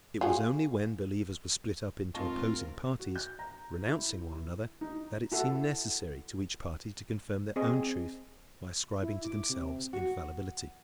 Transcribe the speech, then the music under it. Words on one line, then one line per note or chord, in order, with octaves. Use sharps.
It was only when believers were split up into opposing parties, renouncing one another, that it seemed necessary to each party to confirm their own truth by ascribing to themselves infallibility.
F4 F#4 G#4
F1 G#2 C4 F4 A#4 D#5 A5 C#6
F#4
G6
A#5
E4
D#4
E4 F#4 A4
C4 G#4 D#5
E4
D6
C3
F#4